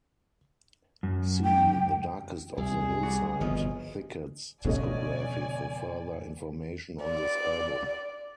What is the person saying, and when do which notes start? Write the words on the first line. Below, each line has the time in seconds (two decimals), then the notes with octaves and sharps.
See The Darkest of the Hillside Thickets discography for further information on this album.
1.03 F#2
1.44 G5
2.57 C2 G#4
3.03 G3 F#4
3.41 G1 C2 B2 F3 D#5
4.65 G1 F2 B2 C#4 D5 D#5 G#5
7.04 D5